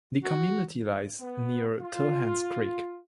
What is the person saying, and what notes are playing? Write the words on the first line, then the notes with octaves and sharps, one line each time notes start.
The community lies near Tilhance Creek.
F#4
B3
F4